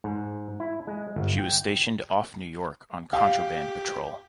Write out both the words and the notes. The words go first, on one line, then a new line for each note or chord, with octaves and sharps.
She was stationed off New York on contraband patrol.
G#2
E4
G#3
G1
G5
G4 F5